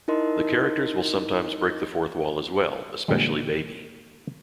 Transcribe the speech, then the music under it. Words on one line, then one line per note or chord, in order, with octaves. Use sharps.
The characters will sometimes break the fourth wall as well, especially Baby.
D#4 E4 A#4 D#5 C6
A#2 D3 E3 G3 G#3